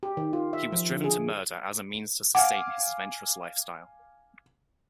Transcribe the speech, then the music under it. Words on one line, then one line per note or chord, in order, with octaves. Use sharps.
He was driven to murder as a means to sustain his adventurous lifestyle.
G4
D#3
F4
E5
F3
D3
G#4
F5 F#5 G#5 D6